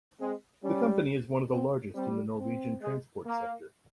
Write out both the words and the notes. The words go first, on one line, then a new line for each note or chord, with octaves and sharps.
The company is one of the largest in the Norwegian transport sector.
G#3 C4
G3 C#4
C4
G3 C4
C4
G#3
A#3